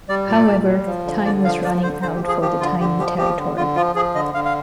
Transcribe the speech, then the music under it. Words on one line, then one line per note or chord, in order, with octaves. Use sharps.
However, time was running out for the tiny territory.
G3 D5
A#2 D5
A#2
G3
F3
D3
D3 D5
F3 F5
F3 D5
D3 C5
D3 C5
G4
F3
G#4
F3 G4
D3 F4
D3 G4
F3 G4
F3 G4
D3
D3 F4
F3 F4
F3 G#4
D3 D#5
D3 F5
F5